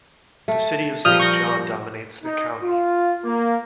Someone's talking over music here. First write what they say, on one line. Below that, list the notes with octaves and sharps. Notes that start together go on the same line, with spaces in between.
The city of Saint John dominates the county.
A3
A#2 F3 G3 D#6 F6 G6
C#6 G6 A#6
D#4
F4
A#3